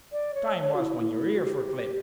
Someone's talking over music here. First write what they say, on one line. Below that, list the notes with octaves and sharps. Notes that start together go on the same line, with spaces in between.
Time was when your ears were clipped.
D5
C#5
C#5
F#4
E4
E4
F#4
G4